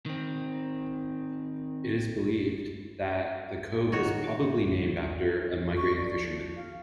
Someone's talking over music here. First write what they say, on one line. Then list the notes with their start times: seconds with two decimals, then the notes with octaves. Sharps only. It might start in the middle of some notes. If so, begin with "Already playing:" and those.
It is believed that the cove was probably named after a migrating fisherman.
0.06 D#3 C4
3.92 D#3 F#4 C#5
5.77 C#6
5.97 F3 D5
6.56 F5